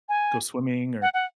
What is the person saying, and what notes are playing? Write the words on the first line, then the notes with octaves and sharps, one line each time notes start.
go swimming, or
G#5
F#5
F#5